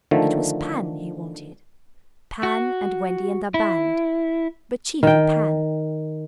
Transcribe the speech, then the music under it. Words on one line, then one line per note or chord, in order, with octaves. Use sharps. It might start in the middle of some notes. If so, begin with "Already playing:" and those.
It was Pan he wanted, Pan and Wendy and their band, but chiefly Pan.
D3 D#3 F3 A3
F#4
E4
D#3 G5